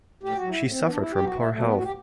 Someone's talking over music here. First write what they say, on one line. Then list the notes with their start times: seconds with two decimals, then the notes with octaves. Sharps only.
She suffered from poor health.
0.23 A2 G4
0.36 F#4
0.42 F#3
0.49 E4
0.62 A2
0.70 C4
0.80 E3 B3
0.89 D4
0.98 E2 E4
1.12 G4
1.18 B2 F#3
1.24 F#4
1.37 A2 E4
1.50 A3
1.56 F#3
1.62 B3
1.74 A2 F#4
1.83 G4